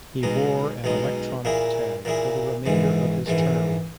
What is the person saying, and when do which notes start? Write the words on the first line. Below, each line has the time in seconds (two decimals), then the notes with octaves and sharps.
He wore an electronic tag for the remainder of his term.
0.23 B1 B2 G#3 D#4
0.84 B1 B2 G#3 D#4
1.45 A#2 A#3 E4 G#4
2.05 A#2 A#3 E4 G#4
2.66 A#1 G#2 E3 G#3
3.26 A#1 G#2 E3 G#3